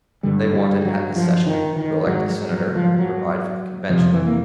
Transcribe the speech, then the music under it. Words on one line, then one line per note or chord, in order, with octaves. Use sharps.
They wanted at this session to elect a senator and provide for the convention.
G2 D3 G3
G3
F#3
F3
D#3
D#3
G#2 F#3
F#3
F#3
F3
F#3
F2 C3 F3
E3
A#3